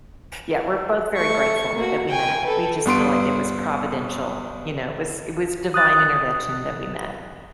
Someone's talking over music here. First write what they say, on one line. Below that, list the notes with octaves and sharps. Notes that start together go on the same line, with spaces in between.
Yeah. We're both very grateful that we met. We just feel like it was providential. You know? It was it was divine intervention that we met.
A3 C#6
A#3 F#4
G5 G#5
A4 B4
G2 B3 C6 D7
D#6 F#6 A6